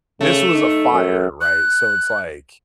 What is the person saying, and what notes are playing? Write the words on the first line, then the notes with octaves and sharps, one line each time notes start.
This was a fire, right? So it's like,
C#3 A3
D#4
F#2
F#6